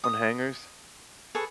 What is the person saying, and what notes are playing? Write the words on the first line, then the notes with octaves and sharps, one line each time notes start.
On hangers?
D#6
G#4 A4 B4 C#6